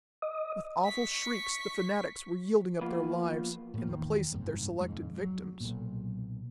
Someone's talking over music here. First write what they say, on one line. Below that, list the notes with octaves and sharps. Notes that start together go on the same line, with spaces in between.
With awful shrieks the fanatics were yielding up their lives, in the place of their selected victims.
D#5
C#6 B6
F3 A#3 B3 F4 B4
A2 A#3
E2 D#3
F#1 C2 G#2
D#1 F2 G#2 G#3
F#3
B1 A#2